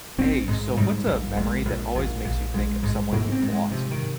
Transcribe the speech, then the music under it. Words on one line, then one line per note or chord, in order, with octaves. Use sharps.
Hey, so what's a memory that always makes you think of someone you've lost?
A#1 C4
G#2 G#3
G#2 G3
A#1
A#1 G#3
A#1
A#1
A#1
A#1 G#3
G#2 G#3
G#2 A#3
C4
G#2
G#3
C3 F3
D#3